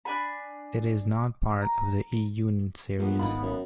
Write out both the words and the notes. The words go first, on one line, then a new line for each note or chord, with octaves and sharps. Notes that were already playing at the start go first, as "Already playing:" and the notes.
It is not part of the E-unit series.
D4 D5 G#5 B5
A#5
A#1 G3 B3
G#1 A2 D#4 F5 B5
F#2